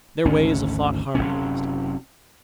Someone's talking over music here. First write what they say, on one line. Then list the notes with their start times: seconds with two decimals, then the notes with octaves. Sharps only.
Their ways of thought harmonized.
0.25 G#1 D2 C#4
1.15 F#1 C2 C3 C#4